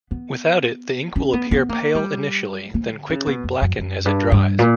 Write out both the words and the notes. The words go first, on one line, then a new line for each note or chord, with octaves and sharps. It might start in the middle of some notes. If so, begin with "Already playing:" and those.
Without it, the ink will appear pale initially then quickly blacken as it dries.
B3
C#4
B3
B3
A#3
G3
A#3
D3
C#3
B2
F#2
F#2
F#2
G2
G2
A#2